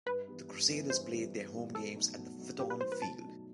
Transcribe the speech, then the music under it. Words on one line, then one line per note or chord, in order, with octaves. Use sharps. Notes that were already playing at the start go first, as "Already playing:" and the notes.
The Crusaders played their home games at Fitton Field.
G2 B4
E3 G3 B3
G2
E3 G3 B3
G2 C5
E3 G3 B3
G2
E3 G3 B3
B2 A4
F#3 A3 D#4
B2
F#3 A3 D#4
B2 G4
B4
F#3 A3 D#4 C5
B4
B2 A5
F#3 A3 D#4